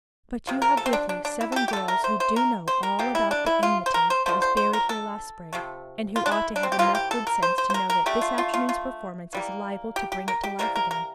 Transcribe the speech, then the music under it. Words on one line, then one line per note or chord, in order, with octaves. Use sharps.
But you have with you seven girls who do know all about the enmity that was buried here last spring, and who ought to have enough good sense to know that this afternoon's performance is liable to bring it to life again.
C3 F3
A#4
A4
C4
D4
D4
D4
E4
A4
G4
G4
D3 A3 A4
A#4
C5
C5
A#4
C5
A#4
C3 G3 A#3 G4
E4
D4
E4
F4
C5
A#4
C5
D3 F3 A3 C5
C5
C5
A#4
A4
C3 F3 A3
F4
D4
E4
D4
C4
G4
C3 E3 A#3 F4
G4
A4
A#4
C5
C5
C5
A#4
A#4
D3 A3 G4
F4
F4
F4
F4
E3 G3 A#3
G4
G4
A#4
G4
C3 E3 G3 A#3 A#4
A#4
A#4